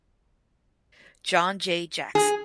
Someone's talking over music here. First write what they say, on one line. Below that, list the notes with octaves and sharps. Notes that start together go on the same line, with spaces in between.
John Jay Jackson.
G#4